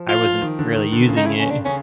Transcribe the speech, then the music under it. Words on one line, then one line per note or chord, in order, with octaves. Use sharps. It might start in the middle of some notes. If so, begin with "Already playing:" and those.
I wasn't really using it.
Already playing: F3
F4
F3
D#3
D3
D#3
D3
C#3
D#4
E4
C#4
D4
C#3 C#4